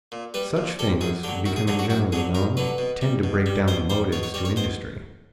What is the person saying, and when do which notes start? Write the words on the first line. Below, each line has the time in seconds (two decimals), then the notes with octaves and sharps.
Such things becoming generally known tend to break down the motives to industry.
0.12 A#2
0.34 G3 B4
0.57 A#2
0.79 G3 A4
1.01 F#2 G#4
1.23 D3 F#3 G4
1.46 F#2 F#4
1.56 G#4
1.67 D3 F#3 G#4
1.79 F#4
1.90 F#2 F#4
2.12 D3 F#3 G#4
2.35 F#2 A#4
2.57 D3 F#3 B4
2.78 B2
3.01 G3
3.24 B2
3.46 G3
3.68 B2 C5
3.90 G3 C5
4.12 B2 C#5
4.23 C#5
4.34 G3 C#5
4.45 C#5
4.56 B2 C5